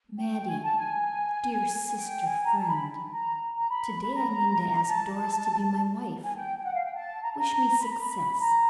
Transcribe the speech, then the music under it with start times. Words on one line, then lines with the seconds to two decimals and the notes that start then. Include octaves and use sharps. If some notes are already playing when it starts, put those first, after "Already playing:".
"Mattie, dear sister-friend, to-day I mean to ask Doris to be my wife. Wish me success."
0.19 G5
0.39 G5
0.48 G#5
0.64 A5
0.78 G#5
1.95 G5
2.25 G#5
2.45 A#5
2.54 A5
2.68 B5
3.12 A#5
3.56 A#5
3.71 B5
4.01 B5
4.15 A#5
4.89 A5
6.24 G#5
6.35 G5
6.58 G5
6.64 F#5
6.74 F5
6.85 G5
6.94 A5
7.23 A#5
7.31 A5
7.38 A#5
7.82 B5
7.91 A#5
8.01 B5
8.40 A#5